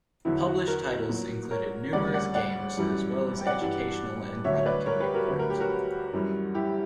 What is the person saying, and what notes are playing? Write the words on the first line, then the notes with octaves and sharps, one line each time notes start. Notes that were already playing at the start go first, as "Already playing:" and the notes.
Published titles included numerous games as well as educational and productivity programs.
E2 D3 F#3 E4
F#4
F#4 A#4
A#2 F#3
A#4 C#5
D2 C#3 G3 D5 F#5
D5 F#5
D5 F#5
F#2 E3 G3
G5
D5 F#5
G2 E3 G3
D2 D3 F#3 C#5 E5
C#5
B4 D5
A#4 C#5
G4 B4
F#4 A#4
D2 D3 F#3 B4
A#4
G4
F#4 A#4
F#2 E3 G3
E4 G4